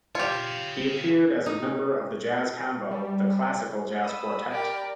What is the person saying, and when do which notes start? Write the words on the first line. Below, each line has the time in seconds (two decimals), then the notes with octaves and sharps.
He appeared as a member of the jazz combo the Classical Jazz Quartet.
0.15 F4 G4 C#5 F5
1.46 D#4
2.91 G3
4.03 B5 D#6 E6
4.51 G4 A#4 D5